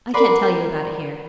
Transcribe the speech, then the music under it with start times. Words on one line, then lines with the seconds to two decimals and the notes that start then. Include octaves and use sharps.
I can't tell you about it here.'
0.14 A#4 B4 D5 F#5 B5 C6